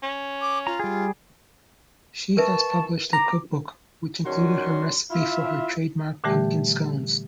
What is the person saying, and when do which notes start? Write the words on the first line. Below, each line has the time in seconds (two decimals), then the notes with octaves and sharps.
She has published a cookbook which included her recipe for her trademark pumpkin scones.
0.03 C#4
0.41 D6
0.67 F4 A#5
0.79 G3 G#4
2.37 A#4 B4 E5 A5 C#6
3.13 A#5 D6
4.25 D#3 F#3 C#4 F#4 D5 C6
5.11 E4 F4 E5
6.24 A#2 D3 E3 G3 A3 G4